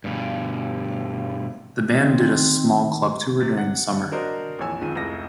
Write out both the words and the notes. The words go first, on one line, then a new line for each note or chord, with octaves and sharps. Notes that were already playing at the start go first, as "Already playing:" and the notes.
The band did a small club tour during the summer.
G2 B2
D#3 C4
C3 A6
F#5
D4 F#4 A#4 C5 D#5
A#1 F2 E3 C#5 G#5 E6
C#2 D#3 F3 C4 D#7
F1 C#2 E4 A#6